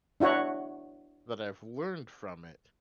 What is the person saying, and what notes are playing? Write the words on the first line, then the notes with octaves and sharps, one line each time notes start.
that I've learned from it,
D4 E4 F#4 C#5 F#5